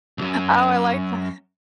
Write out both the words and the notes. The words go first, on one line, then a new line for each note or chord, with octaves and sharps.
Oh, I like that.
C2 F#2